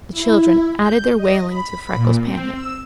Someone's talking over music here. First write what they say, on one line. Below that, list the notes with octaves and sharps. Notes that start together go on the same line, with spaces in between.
The children added their wailing to Freckles' panic.
E4
G6
D#5
B5
A#2
C4
E6